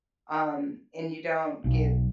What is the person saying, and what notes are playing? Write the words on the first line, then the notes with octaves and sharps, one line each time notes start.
um, and you don't get
B1